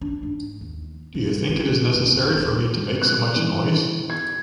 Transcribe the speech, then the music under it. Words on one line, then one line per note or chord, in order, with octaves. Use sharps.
Do you think it is necessary for me to make so much noise?
D4
G#2
D#2
D#4
C#3
C#3
G#2
E2
D#1
F4
F#6
E3
G#6